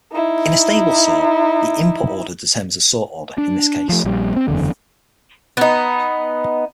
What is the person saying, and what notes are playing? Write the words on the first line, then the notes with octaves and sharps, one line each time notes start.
In a stable sort, the input order determines the sorted order in this case.
D#4 E4
D4
F3 A3
A#1 G3
C4
F#1 E2 D3
B3 D#4